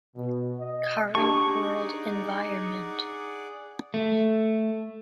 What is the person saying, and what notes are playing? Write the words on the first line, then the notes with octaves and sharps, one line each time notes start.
Current World Environment.
B2
D#5
D4 D#4 G4 G#4 D5 F#5 A5 C#6
A3